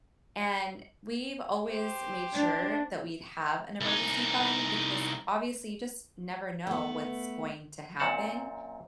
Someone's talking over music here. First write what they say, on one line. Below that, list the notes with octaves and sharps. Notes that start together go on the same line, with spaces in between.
and we've always made sure that we'd have an emergency fund because, obviously, you just never know what's going to happen.
G4 C5
D4
C2 D#4
A3 B3
F#2 A#2 C4 F#5 A5